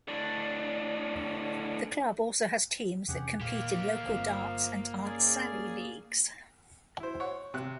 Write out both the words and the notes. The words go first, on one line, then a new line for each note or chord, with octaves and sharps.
The Club also has teams that compete in local darts and Aunt Sally leagues.
A2 D4
E2 C3 C#4 G4 G#4 F#5
A#2 A#3 G4 F5
G1 F3 C4
C#4 G#4 D5
E4 C5
C#5 F#5
C3 F#6